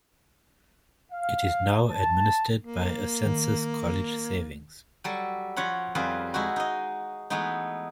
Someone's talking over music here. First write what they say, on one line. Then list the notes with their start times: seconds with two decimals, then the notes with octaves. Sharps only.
It is now administered by Ascensus College Savings.
1.12 F5
1.90 A5
2.62 A#3
3.25 D#3
5.04 F#3 G3 A4
5.56 F3 F4 C#5 F#5 B5
5.95 F2 G3 F4 G#4 B4
6.34 G#3 D#4 E4 F#4
6.56 D#4 D#5
7.30 E3 G#3 A3 B3 D#4